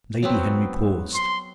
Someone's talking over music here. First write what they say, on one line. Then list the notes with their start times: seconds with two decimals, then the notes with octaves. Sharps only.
Lady Henry paused.
0.23 F#3 B3 C4
1.14 C6